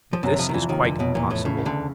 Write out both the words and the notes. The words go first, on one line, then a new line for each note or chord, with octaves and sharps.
But this is quite impossible.
F3
F#2 C3 F#3
F2 F3
D#3
E2 E3 F3
D#2 D#3
F1 D2 D3
B1 B2
E2 A#2
A2
A2 C#3
D2 D3